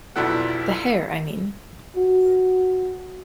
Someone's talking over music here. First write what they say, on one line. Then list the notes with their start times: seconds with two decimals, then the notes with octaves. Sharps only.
The hair, I mean.
0.16 B1 F2 D4 E4 A4 F#5
1.96 F#4